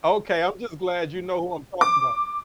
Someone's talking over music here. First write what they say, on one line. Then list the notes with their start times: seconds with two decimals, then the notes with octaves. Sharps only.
Okay, I'm just glad you know who I'm talking 'bout.
1.81 D6